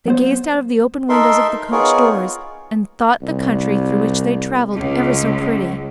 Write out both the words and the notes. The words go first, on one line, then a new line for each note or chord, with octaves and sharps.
They gazed out of the open windows of the coach doors and thought the country through which they traveled ever so pretty.
F#3 B3 C5
D#4 A4 A#4 E5 C6
B3 D#4 F4 G#4 A#4 C#5
C2
C#2